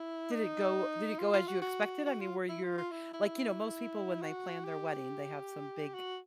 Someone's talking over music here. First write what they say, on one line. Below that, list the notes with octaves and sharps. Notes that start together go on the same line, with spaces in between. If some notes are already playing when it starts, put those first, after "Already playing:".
Did it go Did it go as you expected? I mean, were your like, you know, most people when they plan their wedding, they have some big
Already playing: E4
D#4
F4
F4
F#4
F#4
F#4
F4
E4
F4
F4
E4
E4
F#4
G4
F#4